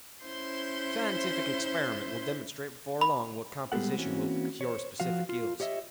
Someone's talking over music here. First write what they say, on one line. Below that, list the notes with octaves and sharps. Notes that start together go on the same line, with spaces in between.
Scientific experiment will demonstrate before long what composition will cure specific ills.
C#4 E4 C5 C6 G6
B5
G3 G#3 B3 G4 A4 F#5
E3 A#3 C4 C#4 F#4
C5 C#5
F3 F#4 F5
F4
G4 C#5 D#5 E5